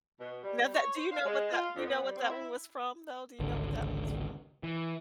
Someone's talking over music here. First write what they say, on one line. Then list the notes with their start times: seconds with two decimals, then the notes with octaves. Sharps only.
Now that do you know what that do you know what that one was from, though? Do you know what that one was from?
0.19 B2
0.42 G3
0.74 C#5
0.95 C5
1.11 F5
1.24 G#3
1.52 F4
1.76 F2
1.87 B3
2.01 G3
2.16 C4
2.30 E4
3.40 G#1 C#2 D3
4.63 E3